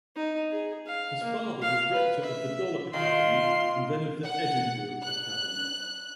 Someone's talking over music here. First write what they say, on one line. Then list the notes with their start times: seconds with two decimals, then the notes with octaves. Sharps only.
His father was Rector of the Dollar Academy and then of the Edinburgh Academy.
0.16 D#4
0.52 G#4
0.87 F5
1.24 A#3
1.62 F5
1.94 B4
2.24 E5
2.93 D#3 F4 C6
4.23 F#5
5.03 F#6